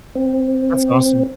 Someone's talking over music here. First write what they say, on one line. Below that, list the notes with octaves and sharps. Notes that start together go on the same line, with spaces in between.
That's awesome.
C4